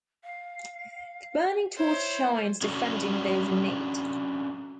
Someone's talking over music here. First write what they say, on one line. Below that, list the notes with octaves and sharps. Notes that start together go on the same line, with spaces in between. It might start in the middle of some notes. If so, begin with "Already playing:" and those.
The burning torch shines defending those in need.
F5
E4 C5 C#5
C#4 D4 F#4 A4